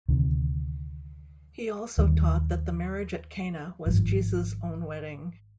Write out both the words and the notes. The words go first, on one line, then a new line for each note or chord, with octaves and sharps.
He also taught that the marriage at Cana was Jesus' own wedding.
D2 C3 D#3
D#2 D#3 G3
G#1 G2 F3